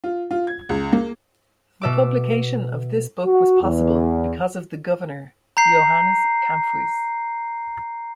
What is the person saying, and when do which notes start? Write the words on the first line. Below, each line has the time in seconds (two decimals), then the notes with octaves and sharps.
The publication of this book was possible because of the governor Johannes Camphuys.
0.04 F4
0.31 F4
0.47 G#6
0.69 C#2
0.93 A#3
1.82 B2 E5 D6
3.26 F#4
3.62 E2
5.57 A#5 G6 C7